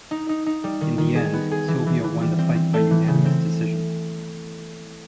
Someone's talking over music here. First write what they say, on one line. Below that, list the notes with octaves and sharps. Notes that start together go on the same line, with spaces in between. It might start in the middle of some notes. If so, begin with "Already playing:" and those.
In the end Sylvia won the fight by unanimous decision.
D#4
D#4
D#4
G3
D#3
D#3
G#4
B3
G#4
E3
E3
E3
G3
C4
C4
A3
E3
C#3
C4